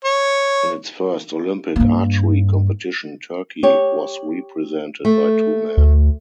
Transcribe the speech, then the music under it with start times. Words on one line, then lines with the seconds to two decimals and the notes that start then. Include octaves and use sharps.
In its first Olympic archery competition, Turkey was represented by two men.
0.05 C#5
1.76 G2 A#3
3.63 G4 C#5
5.05 A3
5.77 D2